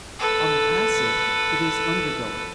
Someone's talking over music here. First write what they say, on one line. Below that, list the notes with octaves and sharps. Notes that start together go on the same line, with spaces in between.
On the passive, it is undergoing.
A4 B4